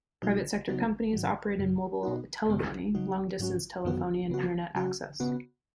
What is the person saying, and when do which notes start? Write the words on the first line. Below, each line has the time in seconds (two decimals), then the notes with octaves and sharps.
Private sector companies operate in mobile telephony, long distance telephony and Internet access.
0.22 B2 F#3 D#4 F#4
0.68 C#3 F#3 B3 D#4 F#4
1.13 G#2 D#3 F#3
1.59 F#2 C#3 F#3
2.03 B2 B3 D#4 F#4
2.49 F#2 C#3 G#3 B3
2.95 C#3 F#3 D#4 F#4
3.39 G#2 F#3 C#4 F#4
3.85 F#2 D#3 F#3 B3 F#4
4.30 C#3 B3 F#4
4.75 C#3 F#3 C#4 F#4
5.20 C#3 B3 F#4